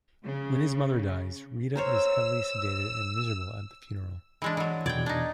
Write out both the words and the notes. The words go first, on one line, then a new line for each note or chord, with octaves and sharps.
When her mother dies, Rita is heavily sedated and miserable at the funeral.
C#3
A#4 C5 C#5 E6
E3 G#3 D4
E3 F#3
E2 B2 D5 G5 G#6
D4 D#4